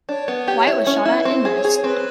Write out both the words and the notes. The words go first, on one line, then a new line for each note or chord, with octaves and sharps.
Wyatt was shot at and missed.
D4 C#5
B3
G4
E4
C#4
E4
B4
C4 C5
G#4
C#5
G#4
C4 B4